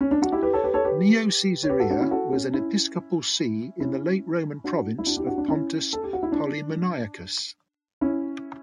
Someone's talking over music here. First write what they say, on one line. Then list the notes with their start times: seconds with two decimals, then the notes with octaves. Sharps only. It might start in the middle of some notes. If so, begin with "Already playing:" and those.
Neocaesarea was an episcopal see in the late Roman province of Pontus Polemoniacus.
0.01 C#4
0.11 D4
0.22 D4 F#4
0.32 E4 G4
0.43 G4 B4
0.53 A4 C#5
0.64 G4 B4
0.74 A4 C#5
0.85 G4 B4
1.63 C#5
1.69 G4 B4
1.80 F#4 A4
1.90 D4 F#4
2.01 C#4 E4
2.11 F#4 A4
2.33 C#4
2.54 C#4 E4
3.80 C#4 E4
4.64 D4 F#4
4.98 E4
5.06 D4 F#4
5.17 E4 G4
5.27 D4 F#4
5.38 D4
5.48 C#4 E4
5.93 A4
6.03 G4
6.13 F#4
6.23 E4
6.32 D4
8.01 C#4 E4